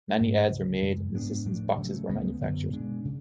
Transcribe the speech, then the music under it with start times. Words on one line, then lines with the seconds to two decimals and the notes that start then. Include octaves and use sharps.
Many ads were made, and the system's boxes were manufactured.
0.18 G#2 G#3 C#4
0.49 D2 C#3 F#3
0.82 F#2 C#3 G#3
1.14 G#2 G#3 B3 D4
1.45 A2 F3 A3 D4
1.77 C#3 F#3 A3
2.09 D2 C#3 G#3 B3
2.41 F#2 D3 F#3 B3
2.73 B2 G#3 D4
3.05 C#3